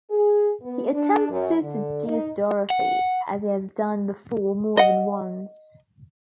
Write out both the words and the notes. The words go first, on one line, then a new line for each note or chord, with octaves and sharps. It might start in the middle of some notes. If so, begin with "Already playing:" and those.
He attempts to seduce Dorothy, as he has done before more than once.
G#4
B3
D4
F#2
D3
D#4
F#5
D#5 F#5